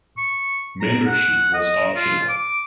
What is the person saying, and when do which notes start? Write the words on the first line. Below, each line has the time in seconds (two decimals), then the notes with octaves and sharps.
Membership was optional.
0.18 C#6
0.80 A#5
1.06 F#5
1.54 D#5
1.95 F4
2.29 D6